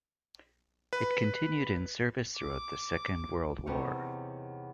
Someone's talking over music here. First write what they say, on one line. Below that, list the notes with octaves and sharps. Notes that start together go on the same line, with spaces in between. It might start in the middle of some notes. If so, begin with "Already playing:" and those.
It continued in service throughout the Second World War.
B4
D6
E2 C3 D#4 C#5 C#6